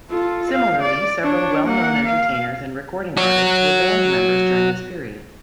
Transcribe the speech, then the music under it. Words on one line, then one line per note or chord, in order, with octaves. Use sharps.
Similarly, several well-known entertainers and recording artists were band members during this period.
F4 A4
F5
D5
D4 C#5
A#3 F#5
F5
F#4 C#5